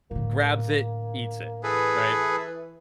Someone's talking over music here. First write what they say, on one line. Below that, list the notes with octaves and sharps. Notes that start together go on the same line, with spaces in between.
grabs it, eats it, right
A2 D3 A#3
E3 G#4 A4 B4